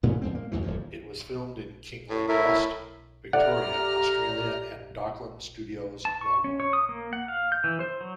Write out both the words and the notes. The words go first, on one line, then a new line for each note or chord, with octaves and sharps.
It was filmed in Kinglake West,Victoria, Australia and Docklands Studios Melbourne.
A1 A2 G#3 A3
E2 G#2 C4
A#3
D#2 G#2 B2 E3
D1 D#2 G#2 F3
A2
A2 E4 A#4 E5
G4 A4 D5 E5 F#5 A#5 F6
A5
C#6
C#4
C#5
D#6
A#3
F#5
F5
G6
E3
C5
F#3